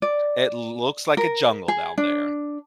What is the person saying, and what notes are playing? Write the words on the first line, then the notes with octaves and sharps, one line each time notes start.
it looks like a jungle down there,
D5
A#4
G#4
D4